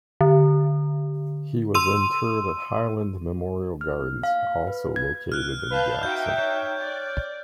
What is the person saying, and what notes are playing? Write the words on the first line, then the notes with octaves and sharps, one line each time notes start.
He was interred at Highland Memorial Gardens, also located in Jackson.
D3
C6 E6 D#7
F6
F5
B4
G#6
F6 F#6
B4 F5 A5 G6
D#4 F#4 E5 G5 G6
C#5
D5